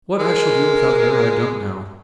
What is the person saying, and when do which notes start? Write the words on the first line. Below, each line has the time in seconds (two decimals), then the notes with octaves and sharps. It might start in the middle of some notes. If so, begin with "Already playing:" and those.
"What I shall do without her I don't know."
0.19 G#3 A#4